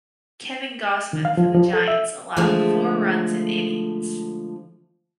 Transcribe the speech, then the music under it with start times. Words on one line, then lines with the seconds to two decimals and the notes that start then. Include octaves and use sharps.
Kevin Gausman for the Giants allowed four runs in innings.
1.13 D#3
1.25 F5
1.37 F3
1.55 F3
1.73 A4
1.88 E5
2.37 D3 F3 G#3 A3